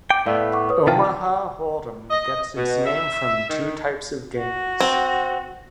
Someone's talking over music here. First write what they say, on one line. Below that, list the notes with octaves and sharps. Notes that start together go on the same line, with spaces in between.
Omaha Hold'em gets its name from two types of games.
G5 D6
A2 A3 B3 D5 F5
F#5 C#6 D6
B4 C#5 D#6
C3 D#3 F4 G5 A5
D#5
B2
E5
D#3
F#4
C4